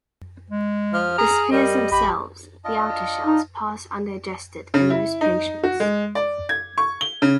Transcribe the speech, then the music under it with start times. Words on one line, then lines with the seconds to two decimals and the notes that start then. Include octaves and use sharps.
The spheres themselves, the outer shells, pass undigested in most patients.
0.50 G#3
0.93 F3 F6
1.18 G#4 A#5
1.52 G3 A#4 D#5
1.92 A1 G4 B5
2.64 D4 F4 D#5
3.25 D#4
4.74 C#3
4.90 E4
5.21 D#4
5.63 F#4
5.80 G#3
6.15 D5
6.49 G#6
6.78 C#6
7.01 G7
7.22 C#3